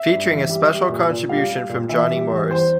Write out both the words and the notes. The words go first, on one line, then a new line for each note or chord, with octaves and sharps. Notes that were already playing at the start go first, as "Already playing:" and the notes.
Featuring a special contribution from Johnny Morris.
Already playing: E5
G2
E3
G3
G3
A#2
A#2
G3 F5
G3
A#2
E3 E5
G3
E2
E2 C5